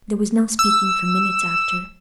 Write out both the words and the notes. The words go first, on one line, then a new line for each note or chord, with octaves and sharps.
There was no speaking for minutes after.
E6